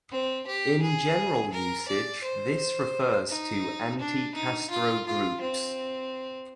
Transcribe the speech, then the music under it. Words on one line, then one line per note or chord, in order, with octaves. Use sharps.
In general usage this refers to anti-Castro groups.
C4
G4
G#4
A#4
D5
C5
D#4
D4
D#4
F4
F4
C4